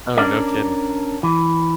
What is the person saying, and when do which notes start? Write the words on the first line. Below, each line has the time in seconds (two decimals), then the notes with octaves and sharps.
Oh, no kidding.
0.17 C#4 D4 A#4 D5
1.23 E3